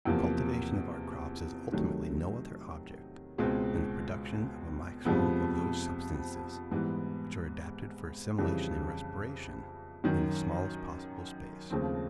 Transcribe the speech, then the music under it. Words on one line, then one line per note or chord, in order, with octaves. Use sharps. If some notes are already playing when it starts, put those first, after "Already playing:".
The cultivation of our crops has ultimately no other object than the production of a maximum of those substances which are adapted for assimilation and respiration, in the smallest possible space.
E2 C3 F3 A#3
C3 D#3 F#3 A3
C#2 B2 G#3 C4
F2 C3 F3 G#3 B3
G#2 E3 G3 B3
F2 C#3 E3 G3
F#2 D#3 F#3
D#2 C#3 F3 A3 C4